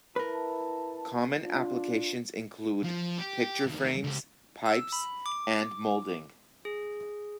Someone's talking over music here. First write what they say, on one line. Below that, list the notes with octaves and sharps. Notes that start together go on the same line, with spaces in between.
Common applications include picture frames, pipes, and molding.
E4 A#4 B4 A5
D4 F4
F3
G4
D2 D#3
C#2 G4
E6
B5
D6
G#4